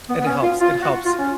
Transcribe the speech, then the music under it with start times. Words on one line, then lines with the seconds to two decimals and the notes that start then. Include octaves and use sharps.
it helps it helps
0.09 B3
0.21 B3
0.26 C#4
0.43 F4
0.61 F4
0.82 F#4
1.05 F4
1.19 C#4